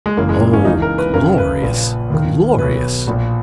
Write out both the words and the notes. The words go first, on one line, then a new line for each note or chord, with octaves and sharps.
Oh, glorious! Glorious!
G#3
F#1 F#2 E3 A#3
G#3
A#3
C#4
C#2 C#3 E3 D#4
A#4
B4
F#1 F#2 C#3 A#4
B4
A#1 A#2
D#2 D#3
B1 B2 B4
A#1 A#2